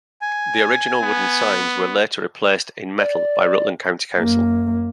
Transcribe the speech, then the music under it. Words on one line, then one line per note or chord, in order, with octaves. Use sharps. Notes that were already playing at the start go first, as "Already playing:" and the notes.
The original wooden signs were later replaced in metal by Rutland County Council.
G#5
B3
D5
F#2 A#3